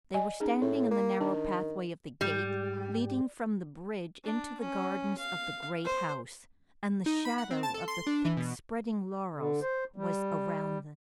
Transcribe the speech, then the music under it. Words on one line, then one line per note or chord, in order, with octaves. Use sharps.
They were standing in the narrow pathway of the gate leading from the bridge into the gardens of the Great House, and the shadow of the thick-spreading laurels was around them.
D5 D#5 G#5
C#4 D#4 G#4
A2 E4
A#3
D#3 D4
G#2 G3 G4
D4
C#4
F5
C5
D#4
B5
F#5
C4
A5
A4
C6
D4
E3
B2
D3
C5
G3